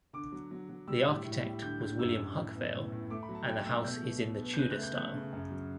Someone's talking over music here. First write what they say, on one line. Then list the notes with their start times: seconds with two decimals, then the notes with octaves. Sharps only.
The architect was William Huckvale and the house is in the Tudor style.
0.13 D3 D6
0.32 F#3
0.51 F#3
0.69 F#3
0.87 G3 E6
1.07 A2
1.25 A2
1.43 G3
1.62 D3 G6
1.80 D3 G6
1.99 F#2 E6
2.17 F#2
2.36 A2
2.55 B3
2.73 A2
2.92 A2
3.10 A3 D6
3.23 B5
3.29 F#3
3.35 A5
3.47 F#3 G5
3.65 A3 E6
3.84 B2 G6
4.03 B2
4.21 B2
4.40 B3
4.54 G6
4.59 C#3 F#6
4.71 F#6
4.77 A3
4.83 G6
4.95 A3 F#6
5.14 C#3
5.33 F#2
5.51 F#3